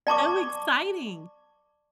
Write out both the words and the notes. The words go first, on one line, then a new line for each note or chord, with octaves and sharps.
so exciting,
D5 A5 C#6 D6